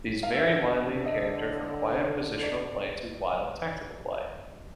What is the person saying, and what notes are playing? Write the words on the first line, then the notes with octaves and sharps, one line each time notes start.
These vary widely in character from quiet positional play to wild tactical play.
F5
D3 E5
D#5
D5